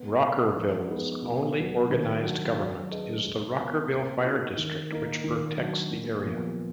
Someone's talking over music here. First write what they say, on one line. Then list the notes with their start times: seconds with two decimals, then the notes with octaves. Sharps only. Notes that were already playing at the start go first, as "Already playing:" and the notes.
Rockerville's only organized government is the Rockerville Fire District, which protects the area.
Already playing: B3
0.21 D4 F4
0.56 F3
0.88 G#3 B3 D#4 G#4
1.22 B2
1.56 F#3 B3
1.90 D#3
2.22 F#3 D4 F#4
2.57 F#3
2.89 D4 G#4 B4 D#5
3.24 G#3
3.57 B3 F4 A#4
3.90 A#3
4.24 D#4 F#4 A#4
4.57 D#3
4.91 A#3 D#4 A#4
5.24 D#3
5.57 F#3 D4
5.91 A#2
6.24 F3 B3 F4 A#4